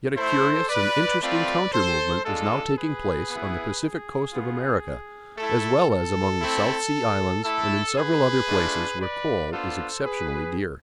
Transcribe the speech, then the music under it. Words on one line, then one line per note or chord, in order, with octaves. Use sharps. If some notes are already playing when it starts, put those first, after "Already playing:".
Yet a curious and interesting counter movement is now taking place on the Pacific Coast of America, as well as among the South Sea Islands and in several other places where coal is exceptionally dear.
A3 E4 A4 C5
B4 D5
A3 C4 F4 B4 D5
A4 C5
G#3 D4 F4 A4
G#4 B4
B3 E4
G#4
B3 F4
A3 E4 A4
A4
A3 C4 E4
A3 E4 A4
G#4 B4
A3 D4 F4
B4 D5
B3 D4 F4 A4 C5
G#4 B4